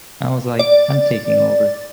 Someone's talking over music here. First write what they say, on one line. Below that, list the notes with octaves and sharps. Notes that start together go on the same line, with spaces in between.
I was like, 'I'm taking over.
D5